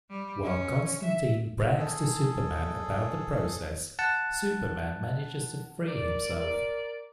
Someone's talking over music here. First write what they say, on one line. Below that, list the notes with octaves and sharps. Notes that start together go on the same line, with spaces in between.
While Constantine brags to Superman about the process, Superman manages to free himself.
G3
C#4
E5
G#4 A4
F#5 A5
A#4 D5